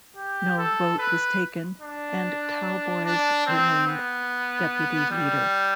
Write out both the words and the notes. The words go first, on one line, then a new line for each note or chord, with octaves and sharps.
No vote was taken, and Talboys remained deputy leader.
G4
A4
B4
D4
D4
C4
B3
G3